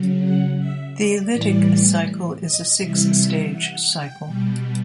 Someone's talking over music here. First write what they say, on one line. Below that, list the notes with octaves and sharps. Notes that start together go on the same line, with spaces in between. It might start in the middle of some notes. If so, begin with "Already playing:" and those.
The lytic cycle is a six-stage cycle.
Already playing: C#3 F#3
F#5
E5
D5
A2 E3 G3 D5
D#5
C3 E3 G3 E5
E5
F#5
G5
B2 G3